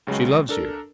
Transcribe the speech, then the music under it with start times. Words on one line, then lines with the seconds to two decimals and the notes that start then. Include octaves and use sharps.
She loves you.
0.07 C#2 C#3 F#3 G#3
0.49 D4 A4 A#4